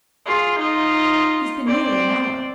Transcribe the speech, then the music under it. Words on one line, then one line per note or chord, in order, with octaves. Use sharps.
He's been nearly an hour.
F4 G#4
D#4 F4
C4 D5